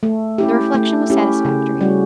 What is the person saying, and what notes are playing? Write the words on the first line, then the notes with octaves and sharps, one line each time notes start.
The reflection was satisfactory.
A3
C#4 E4 G4
A3
C#4 E4 G4
C#3
G3 C#4 F#4